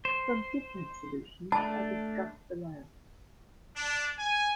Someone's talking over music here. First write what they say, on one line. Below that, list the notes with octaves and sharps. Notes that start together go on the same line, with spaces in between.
Some different solutions are discussed below.
C5
A3 D4 A5
D4
G#5